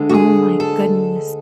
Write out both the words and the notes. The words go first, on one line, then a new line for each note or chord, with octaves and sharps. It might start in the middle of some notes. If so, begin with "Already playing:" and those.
Oh my goodness.
Already playing: D2 D3 G#3
F#4
G#4
A4